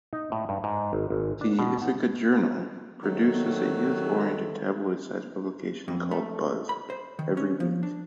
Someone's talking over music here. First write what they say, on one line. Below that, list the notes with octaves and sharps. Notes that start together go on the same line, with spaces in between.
"The Ithaca Journal" produces a youth-oriented tabloid-sized publication called "Buzz" every week.
D#4
A2
G2
G#2
G#1
G#1
D4
B2
F#5
D#3 F#3 A3 C4
F2
A3
B5
C5
D#3
C#4
F3
D4